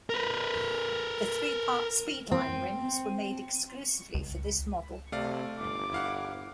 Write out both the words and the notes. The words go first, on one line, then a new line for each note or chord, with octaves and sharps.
The three part Speedline rims were made exclusively for this model.
A#4 B4
C4
C#2
C3 A3 D5 F5
G1 D6
E4 F5 F#5